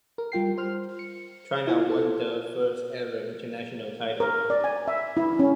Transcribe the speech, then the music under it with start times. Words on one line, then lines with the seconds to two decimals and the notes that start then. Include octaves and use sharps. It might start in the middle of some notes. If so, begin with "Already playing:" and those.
China won their first ever international title.
0.18 A#4
0.32 G3 F4 G5 C7
0.58 C5 F6
0.99 C#7
1.67 E4 F4 C5 D#5 G#5
1.90 A4 C5
4.20 A#4
4.50 D5
4.64 G#5
4.88 E5
5.17 E4
5.39 C#4